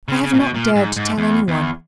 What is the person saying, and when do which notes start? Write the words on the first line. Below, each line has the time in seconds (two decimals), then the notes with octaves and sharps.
I have not dared to tell anyone.
0.08 C#3
0.24 C#3
0.34 A#2
0.40 B2
0.55 A#2
0.76 G#2
0.97 G#2
1.18 E2
1.48 E2